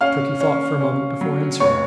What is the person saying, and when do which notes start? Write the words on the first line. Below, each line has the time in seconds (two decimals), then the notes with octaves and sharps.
Turkey thought for a moment before answering.
0.01 C#4 F5 F6
0.41 C#4
0.81 C#4
1.21 F#3
1.60 F1 C#5 C#6